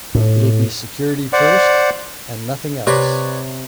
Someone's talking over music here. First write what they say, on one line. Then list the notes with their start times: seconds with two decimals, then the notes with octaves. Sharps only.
It'll be security first-and nothing else.
0.15 A2
1.33 C5 D5 F#5
2.87 C3 B4 C#5 D5